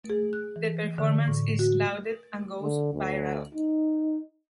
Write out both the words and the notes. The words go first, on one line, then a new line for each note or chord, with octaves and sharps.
The performance is lauded and goes viral.
G#4
F#6
E3
D3
A2
F#4
D3
D2
D#4